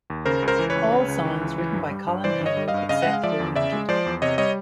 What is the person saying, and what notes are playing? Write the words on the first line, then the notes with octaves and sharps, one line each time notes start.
All songs written by Colin Hay, except where noted.
D#2
C#3 A#4 C5
C#2
A#4 C5
E3
B4 C#5
C#2
C#3
C#2
E3
C#2
E3
G2
G3
G2
E3 C5 D5
G2
C#5 D#5
G3
D#5 F5
G2
C#3 D#5 F5
G#3 F#5
F5
F3 D5 E5
E2
C#3 D5 E5
G#3
F3 C5 D5
E2
C3 C#5 D#5
G3 C#5 D#5